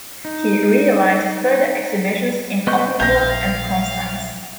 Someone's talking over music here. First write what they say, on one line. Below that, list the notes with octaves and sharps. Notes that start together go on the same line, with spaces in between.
He realised further exhibitions in Offenburg and Konstanz.
D#4
B3 D#5 C#6 G6
A#1 E5 F5 G5 G6 A#6